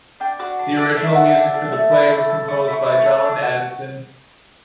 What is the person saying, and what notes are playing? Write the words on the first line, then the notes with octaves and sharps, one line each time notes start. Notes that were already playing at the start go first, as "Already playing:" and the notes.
The original music for the play was composed by John Addison.
D4 G5
F#4 D5
D4
A4 D5
D4 E5
F#4
D4
A4
A3
E4
A3
A4
A3 C#6
E4
C#6
A3
C#6
A4
D4
F#4